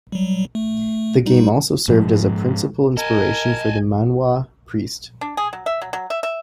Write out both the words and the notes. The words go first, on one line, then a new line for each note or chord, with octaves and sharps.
The game also served as a principal inspiration for the manhwa "Priest".
F#3 G3
A3
G3 D#4
G#2 F3 G#3
A#4 D#5 G#5 A5 G#6
D4
G#4
F#3
E5
F#3
F#3
E5
E5